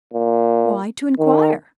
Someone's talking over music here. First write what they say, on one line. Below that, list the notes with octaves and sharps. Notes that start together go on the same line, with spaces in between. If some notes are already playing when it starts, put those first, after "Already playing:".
"Why, to inquire."
A#2
D#3